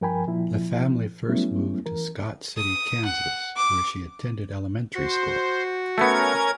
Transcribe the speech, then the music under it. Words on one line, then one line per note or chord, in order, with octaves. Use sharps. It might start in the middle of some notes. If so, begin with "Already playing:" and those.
The family first moved to Scott City, Kansas, where she attended elementary school.
G2 F3 A#4 G5 G#5 B5
A#2 F3 E4
F#3 G3 A3 B3 C#4 E4
E3 A#4
D#6
F#5
D6
F#4 C5
A3 B3 C#4 A#4 G#6